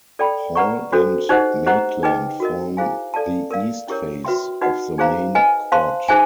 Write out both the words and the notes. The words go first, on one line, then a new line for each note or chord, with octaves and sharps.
Hall and Maitland form the East face of the main quad.
A4 D5 G5 B5
B4 D5 F#5 A#5 C#6
D4 F#4 A4 C5
D#4 G4 C5 D#5 F#5
G4 C5 D#5 F#5 A#5
D#4 G#4 B4 D#5 G5
F#4 A#4 D#5
E4 G#4 C5 F5 G#5
A4 D5 F5 A5
A#4 D5 F5
C#4 E4 G4 A#4 C#5
F#4 B4 E5 G5 C6
D#4 F#4 B4 D#5 F#5
D#4 G#4 C5 F5 A#5
B4 D#5 G#5
C5 F5 A5 C6
D#4 G#4 C5 E5 G#5